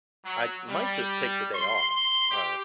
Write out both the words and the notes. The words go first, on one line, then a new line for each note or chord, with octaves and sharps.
I might just take the day off, uh
F#3
G3
C6
G4